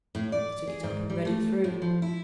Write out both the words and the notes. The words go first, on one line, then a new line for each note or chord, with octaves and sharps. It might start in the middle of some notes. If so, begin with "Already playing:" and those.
He took it up and read it through.
A2
D5
G#4
G#2
G3
A3
A2
F3
E4